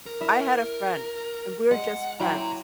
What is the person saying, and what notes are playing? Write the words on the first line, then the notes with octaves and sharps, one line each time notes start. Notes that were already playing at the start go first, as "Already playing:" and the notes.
I had a friend, and we're just friends.
A#4
E4 E5
G#3 F#5
F#3 E4 G5 A#5 C6